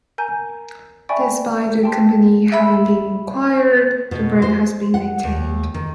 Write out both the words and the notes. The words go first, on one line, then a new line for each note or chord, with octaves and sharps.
Despite the company having been acquired, the brand has been maintained.
A#4 G#5 A#5 G6 D#7
D5 E5 G5 G#5 B5 C#6
G5 A5 C6
E5 B5
B2
C5
F#5
D#2
D#3